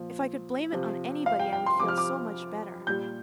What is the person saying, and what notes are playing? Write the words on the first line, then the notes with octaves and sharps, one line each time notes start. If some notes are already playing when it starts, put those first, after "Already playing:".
If I could blame it on anybody I would feel so much better.
Already playing: A#2 F3
C3 F3
F5
G5
G5
C6
C3 F3 D6
F6
D6
A#2 G3 G6